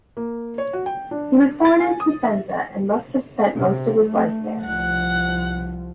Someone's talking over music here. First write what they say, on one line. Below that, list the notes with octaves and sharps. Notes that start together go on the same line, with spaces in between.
He was born in Piacenza, and must have spent most of his life there.
A#3
C#5
F#4
G5
D4
A6
G#5
D#6
E5
C3
A3
C2 F3 F#5 F#6